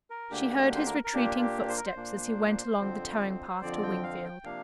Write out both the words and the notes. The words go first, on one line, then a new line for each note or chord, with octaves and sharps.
She heard his retreating footsteps as he went along the towing-path to Wingfield.
A#4
D2 D3 A#3 D4 G4
G4
C5
A#4
A#4
A#2 A#3 D4 G4
F4
G4
C5
A#4
C5
A#2 A#3 D4
F2 D3 F3 C4
F2 D3 F3 C4 D5
G5
F5
G5
C3 F3 A#3 D4 F5